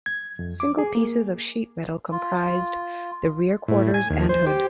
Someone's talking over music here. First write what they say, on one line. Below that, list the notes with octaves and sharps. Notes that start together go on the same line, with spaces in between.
Single pieces of sheet metal comprised the rear quarters and hood.
G#6
F2
D6
G#4
A#3
F4
A2
G#5
D#2
C5
G4